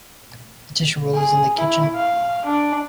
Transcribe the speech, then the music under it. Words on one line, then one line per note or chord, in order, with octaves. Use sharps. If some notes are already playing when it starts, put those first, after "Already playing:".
The tissue roll is in the kitchen.
G#4
E4
F5
D4